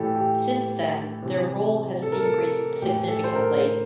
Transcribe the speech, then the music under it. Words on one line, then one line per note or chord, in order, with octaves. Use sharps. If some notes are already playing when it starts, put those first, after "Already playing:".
Since then their role has decreased significantly.
Already playing: A2 E3 G4 A4
G4
C3 E3
A4
A#4
A4
A2 E3 G4
A4
C5
A#4